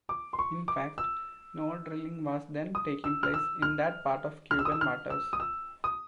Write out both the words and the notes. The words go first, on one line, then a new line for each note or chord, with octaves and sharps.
In fact, no drilling was then taking place in that part of Cuban waters.
D6
C6
C#6
D6
E6
D#6
E6
F6
E6
F6
F6
E6
D#6
E6
F6
E6
D#6
E6
D#6